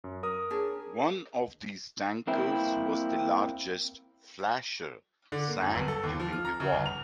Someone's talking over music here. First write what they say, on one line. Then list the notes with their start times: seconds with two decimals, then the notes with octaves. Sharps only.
One of these tankers was the largest "Flasher" sank during the war.
0.04 F#2
0.23 A#4 D#6
0.50 C#4 D4 G#4
2.27 A#3 C4 E4
5.32 D3
5.48 A#3
5.62 F#2
5.75 G1
5.88 A4
6.03 D#2
6.20 F3
6.32 F6
6.45 A#5
6.60 C#3
6.72 G1
6.86 F7